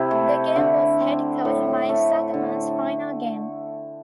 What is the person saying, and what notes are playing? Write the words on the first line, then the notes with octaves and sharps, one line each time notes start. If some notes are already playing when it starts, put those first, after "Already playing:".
The game was Head Coach Mike Zuckerman's final game.
Already playing: C3 E4
A3
D3
C4
A2
A3
D3